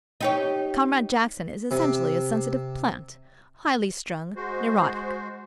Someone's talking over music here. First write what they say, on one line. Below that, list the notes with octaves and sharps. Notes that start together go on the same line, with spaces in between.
Comrade Jackson is essentially a Sensitive Plant, highly strung, neurotic.
D#4 G4 C#5
C3
G#3 F#4 C5